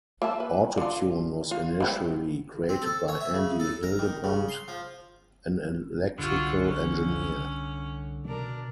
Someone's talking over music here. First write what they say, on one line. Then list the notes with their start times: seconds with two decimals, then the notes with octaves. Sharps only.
Auto-Tune was initially created by Andy Hildebrand, an electrical engineer.
0.22 A#3 E5 A5
0.40 B4
0.78 D3 F4
1.51 F4 F5
1.80 G#3 B3 C4
2.69 C4
2.82 A4
3.08 C#5
3.21 E5
3.34 C#3
3.60 A4
3.83 A#4
3.99 D#3
4.24 C#3
4.49 C6
4.68 F3
6.18 C2 D3 F4 F#4
6.63 C#4
8.25 B2 D4 A#4